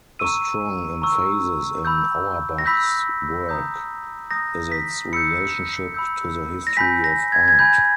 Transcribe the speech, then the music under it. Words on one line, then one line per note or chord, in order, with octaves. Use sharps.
A strong emphasis in Auerbach's work is its relationship to the history of art.
A#5 C#6 E6 D#7
A#5 C#6 E6
B5 E6 G6
A#6
B5 E6 G6 B6
A#5 D#6 G6
A#5 D#6 G6 A#6
B6
B5 E6 G6 C#7
B5 E6 G6
A#6
G#5 B5 G6 B6
A#6
G#6
G#6
G#5 B5 G6